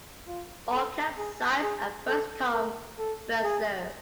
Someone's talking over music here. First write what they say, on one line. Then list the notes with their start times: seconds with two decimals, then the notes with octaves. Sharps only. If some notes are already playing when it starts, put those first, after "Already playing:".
All camp sites are first-come, first-served.
0.27 F4
0.73 A4
1.17 G#4
1.62 G#4
2.08 A4
2.53 A#4
2.99 A4
3.44 G#4